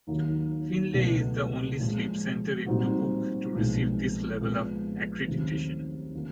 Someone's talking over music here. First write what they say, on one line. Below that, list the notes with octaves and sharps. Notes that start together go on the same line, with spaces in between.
Finley is the only sleep center in Dubuque to receive this level of accreditation.
D#2 D#3 F#3 A#3
C#2 B2 F#3 A3
A#2 F3 G#3
A#2 G3 C4 D#4 F#4
B1 A#2 F3 G#3 B3
A#2 F3 G#3 B3
D#2 C#3 F#3 A3 C4
D3 F3 A#3